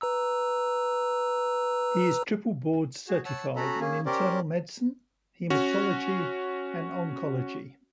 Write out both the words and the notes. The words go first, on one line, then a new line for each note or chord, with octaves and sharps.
He is triple-board-certified in internal medicine, hematology and oncology.
B4 A#5 E6
F#4 G#4
C#5 F#5 A5 E6
C#4 F#4 A4 A#5 B5
A#3 C#4 G#4
C#4 G4 A#4 C5 D5
C#4 F#4